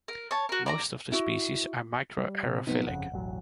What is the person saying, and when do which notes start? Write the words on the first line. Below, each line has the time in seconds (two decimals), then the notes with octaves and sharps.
Most of the species are microaerophilic.
0.08 A#4
0.31 C#5 A5
0.49 F#4 A#4
0.66 D5 A5 A#5
1.12 E4 F#4
2.18 G3
2.44 C3
2.67 C3 F#3 B3 D#4
2.87 G1 F2 C#3 F#5
3.12 E1 A1 F#3